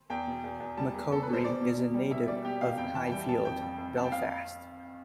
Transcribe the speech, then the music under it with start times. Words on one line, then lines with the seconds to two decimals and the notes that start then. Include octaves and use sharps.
McCoubrey is a native of Highfield, Belfast.
0.10 E2 G5
0.27 B2
0.44 E2
0.60 E2
0.77 G3 A5
0.94 E2
1.11 E2 A4
1.23 B2 B4
1.33 C5
1.44 B2 D5
1.61 B2
1.77 B2
1.94 G3
2.11 B2 E5
2.27 G3 D5
2.45 B2 G4
2.61 B2 F5
2.78 F2 G5
2.95 E3 A5
3.11 G3 G5
3.28 F2 A5
3.45 F2 G5
3.61 F2
3.78 F2
3.96 F2 A5
4.04 G5
4.12 F2 F5